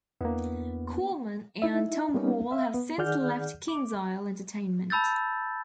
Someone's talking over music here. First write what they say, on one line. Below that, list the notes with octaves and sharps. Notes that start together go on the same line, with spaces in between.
Coleman and Tom Hall have since left KingsIsle Entertainment.
E2 A#3 B3 D4 E4
D#4 E4 E5
G3 A#3 B3 C#4 D#4
E5 F5
B3
D#3 G#4 D5 F#5 F6 G6
D6
A5 B5 E6 G6 A6